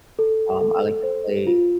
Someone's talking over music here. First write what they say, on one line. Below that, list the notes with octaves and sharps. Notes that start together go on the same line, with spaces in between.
um, I like to play,
A4
A4
C5
F4